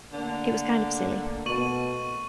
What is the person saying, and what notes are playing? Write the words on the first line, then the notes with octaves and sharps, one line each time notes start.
It was kind of silly.
D3 A3 A#3
B2 C#6 D#7 F#7